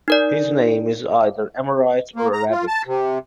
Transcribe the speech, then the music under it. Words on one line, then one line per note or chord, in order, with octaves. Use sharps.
His name is either Amorite or Arabic.
D#4 A#4 D5
A#3
A#5
F4
A5
C3